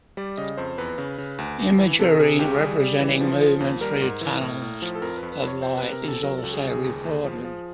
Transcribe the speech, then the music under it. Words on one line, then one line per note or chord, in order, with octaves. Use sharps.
Imagery representing movement through tunnels of light is also reported.
G3 D5
C#3 D#5
F2 C5
E2 B4
C#3
C#3
D2
D2
E3
C3 A4
C3 G#4
C#2 G4
G3 G#4
G3
E3
F3
F3
D#2
G3 A#4
G#2
E3
A2
A2
F3
A4
F2 A#4
B4
F2
B4
F2
C#5
C3 C5
B4
C3
A#4
E2 A4
F#3 A#4
A4
C#2
G#4
C#2 G#4
D#2
D#2
F3
F3